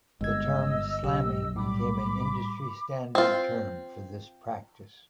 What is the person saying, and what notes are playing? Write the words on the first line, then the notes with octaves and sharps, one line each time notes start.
The term slamming became an industry standard term for this practice.
G1 G#3 D#5 E6 G#6
B1 G4
A2 G3 B5 D6
C4 F4